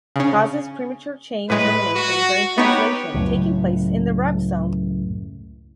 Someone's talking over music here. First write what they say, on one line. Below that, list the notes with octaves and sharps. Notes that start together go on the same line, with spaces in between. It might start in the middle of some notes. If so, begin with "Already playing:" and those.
Causes premature chain termination during translation taking place in the ribosome.
C#3 C#4
A2 G#3 B4
F#4
B3 D#4 G4 B4 C#5 C#6
C#2 F#2 A2